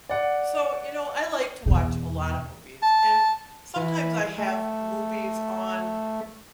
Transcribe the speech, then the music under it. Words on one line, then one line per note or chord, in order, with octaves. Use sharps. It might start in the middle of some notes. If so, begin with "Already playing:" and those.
So, you know, I like to watch a lot of movies, and sometimes I have movies on
D5 F#5
E2 B2
A5
E3
A3